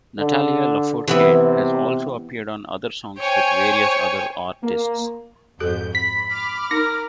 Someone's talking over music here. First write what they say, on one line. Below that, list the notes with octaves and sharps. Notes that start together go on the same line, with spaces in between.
Natalia Lafourcade has also appeared on other songs with various other artists.
D3
C3 E3 B3 E4
C5 C#5 G5 G#5 C#6
A#3
F2 G#2 F#4 A4 G6
B5 B6
B5 D6 F6
D#4 A#4 A#6